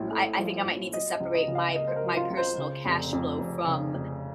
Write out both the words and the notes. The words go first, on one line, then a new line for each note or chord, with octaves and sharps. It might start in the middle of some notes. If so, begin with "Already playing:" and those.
I I think I might need to separate my p my personal cash flow from
Already playing: A#1 A2
A3
F3
A#1
F#3 D#5
D#5
C#2
D#5
C#3
F5
A#3 D#5
C5
A#4
F#3
F4
C#2
C5
C#3
F1
F2
F1
C#3
F1